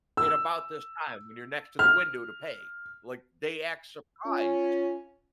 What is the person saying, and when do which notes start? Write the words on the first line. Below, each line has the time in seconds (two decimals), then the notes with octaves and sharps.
in about this time when you're next to the window to pay?" Like, they act surprised.
0.17 E6
1.79 F6
4.26 C#4 F4